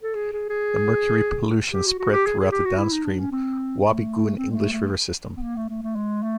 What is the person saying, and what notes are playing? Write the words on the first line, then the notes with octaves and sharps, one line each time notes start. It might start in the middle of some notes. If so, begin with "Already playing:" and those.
The mercury pollution spread throughout the downstream Wabigoon-English River system.
A4
G#4
G#4
G#4
G4
F#4
F#4
G4
G#4
G#4
G4
F#4
E4
D#4
D4
C#4
C4
A3
C4
G#3
A3
A3
B3
A#3
A3
A3
A3
G#3
A3